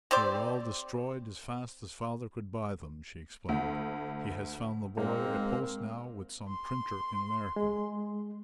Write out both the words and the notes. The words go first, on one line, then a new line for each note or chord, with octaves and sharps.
"They were all destroyed as fast as father could buy them," she explained. "He has found the boy a post now with some printer in America."
C4 G4 C5 D5
D2
G#2 A#3 C4
C6
G#3